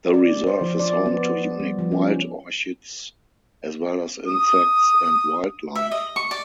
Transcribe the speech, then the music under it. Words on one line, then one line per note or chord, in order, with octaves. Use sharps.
The reserve is home to unique wild orchids, as well as insects and wildlife.
D5
C5
F3
D5
B3
G3
F3
C#4
D#6
E5
D#5
C#6
D5